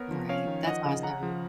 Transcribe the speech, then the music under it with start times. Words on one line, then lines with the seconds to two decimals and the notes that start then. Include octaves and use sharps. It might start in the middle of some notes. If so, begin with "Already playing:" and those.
Right, that's awesome.
Already playing: B3 A#4 C#5
0.11 F3
0.29 C#4 C#5 F5
0.47 D#3
0.67 F3 D#5 F#5
0.85 C#3
1.03 C#3 F#5 A#5
1.23 F3